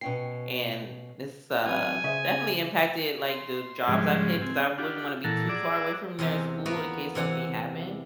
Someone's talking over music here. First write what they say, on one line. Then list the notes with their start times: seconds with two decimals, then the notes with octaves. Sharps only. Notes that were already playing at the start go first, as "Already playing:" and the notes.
And, it's, uh, definitely impacted, like, the jobs I picked 'cause I wouldn't want to be too far away from their school in case something happened.
0.01 B2 C#4 G5 C7
1.66 F#3 C4 B4 D5 G#5
2.04 C#3 G#4 C5 E5
3.29 C6
3.88 G#2 C#3 F3 G3 G#3
4.41 C4 G#5
4.78 D4 F4 G4 F#5
5.24 A#2 E3 A4 F#5 A5 A#5
5.49 G#4 D5 F#5 A#5 D6 E6
6.19 E2 C3 C5 G#5
6.66 A#3 B3 F#4
7.15 C3 E3 F#5 G#5